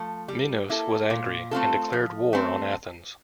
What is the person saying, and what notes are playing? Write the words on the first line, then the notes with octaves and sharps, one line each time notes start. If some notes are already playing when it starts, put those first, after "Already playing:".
Minos was angry and declared war on Athens.
Already playing: F3 A3
G3
A#3 E4 A4
A#2
A3 C4 F4 A4
F3
A3 C4